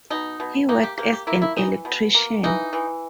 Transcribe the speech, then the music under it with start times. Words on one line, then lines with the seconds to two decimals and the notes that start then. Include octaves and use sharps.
He worked as an electrician.
0.10 B2 D#4
0.40 B2
0.69 A#3 D#4
0.83 G4
0.98 A#3 G4
1.13 G4
1.27 A#3 E4
1.42 E4
1.56 E3 D#4
1.85 B2
2.15 A#3
2.44 E3 D#4
2.73 E3